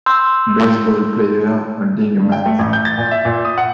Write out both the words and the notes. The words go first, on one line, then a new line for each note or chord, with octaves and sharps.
Baseball player holding a bat.
C6 E6 G6
G2
G5
A3
A1
G6
A6
A#2
E5
A#2
D#6
F#5